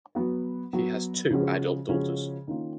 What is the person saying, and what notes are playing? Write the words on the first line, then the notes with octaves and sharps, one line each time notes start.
He has two adult daughters.
F#3 B3 F#4
F#3 B3 F#4
C#3 F3 G#3 C#4 F#4
C#3 F3 G#3 C#4 F#4
D#3 A#3 C#4 F4